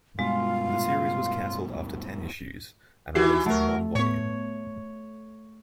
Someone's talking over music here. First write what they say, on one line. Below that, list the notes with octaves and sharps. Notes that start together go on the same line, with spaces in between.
The series was canceled after ten issues and released in one volume.
G2 B2 G#3 F4 F5
D#3 E3 E4 F#4 G4 C7
F#3 A3 A#4
A2 B3 C#5